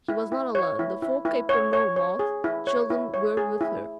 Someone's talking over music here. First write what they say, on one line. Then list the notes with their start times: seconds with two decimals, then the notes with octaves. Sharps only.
She was not alone: the four Kapernaumov children were with her.
0.08 E4
0.32 E4
0.55 C#5
0.79 E4
1.02 E4
1.25 E4
1.49 C#5
1.73 C#5
1.96 C#5
2.19 G#4
2.44 E4
2.67 C#5
2.90 E4
3.14 C#5
3.37 G#4
3.61 E4